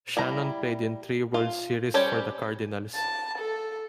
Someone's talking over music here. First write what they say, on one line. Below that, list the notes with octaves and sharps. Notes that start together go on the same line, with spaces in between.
Shannon played in three World Series for the Cardinals.
G3 E4 A#5
F4
G3 C#4 G4 C5 C#5
A5
A4